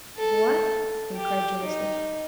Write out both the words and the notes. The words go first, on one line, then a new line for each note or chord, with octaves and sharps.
"What!" incredulously.
A4
G4
D#4